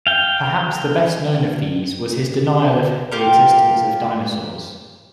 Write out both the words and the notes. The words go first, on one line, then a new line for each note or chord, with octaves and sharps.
Perhaps the best-known of these was his denial of the existence of dinosaurs.
F5 G5
F4 G4 A#4